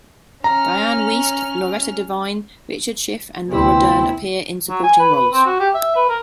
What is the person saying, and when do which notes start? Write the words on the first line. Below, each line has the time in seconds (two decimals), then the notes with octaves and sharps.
Dianne Wiest, Loretta Devine, Richard Schiff and Laura Dern appear in supporting roles.
0.44 C#4 A#5 F6
3.52 D2 C3 B3 C4 E4
4.69 F#3
4.83 G#5
4.99 B4
5.15 B4
5.33 C4
5.46 F#4
5.60 G4
5.75 E5
5.96 B4
6.09 A#4